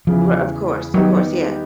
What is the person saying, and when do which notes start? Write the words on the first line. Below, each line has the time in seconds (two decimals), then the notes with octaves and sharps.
Ri of course, of course, yeah.
0.07 E2 C#3 E3 F3
0.94 D#3 F#3 G3 B3 D#4 G4